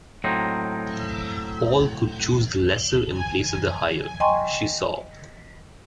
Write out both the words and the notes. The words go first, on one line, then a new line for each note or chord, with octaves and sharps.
Paul could choose the lesser in place of the higher, she saw.
A2 F#3 A#3 C4 D#4
D#5 G5 G#5 A#5 C6 C#6